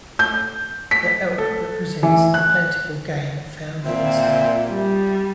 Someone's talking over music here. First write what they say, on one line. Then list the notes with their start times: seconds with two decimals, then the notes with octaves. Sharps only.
The elk represents the plentiful game found in the state.
0.19 G6
0.91 B6
1.38 A4
2.03 E3
2.34 F#6
3.85 A#2 C4 E5
4.69 G3